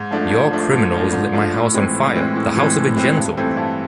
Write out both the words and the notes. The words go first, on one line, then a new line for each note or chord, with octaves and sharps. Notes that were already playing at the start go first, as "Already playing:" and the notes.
Your criminals lit my house on fire, the house of a gentleman.
Already playing: G#2
F3 A3 D4
G#2
F3 A3 D4
G#2
F3 A3 D4
G#2
F3 A3 D4
A2
E3 G#3 C4
A2
E3 G#3 C4
A2
E3 G#3 C4
A2
E3 G#3 C4
G2
E3 A3 C4
G2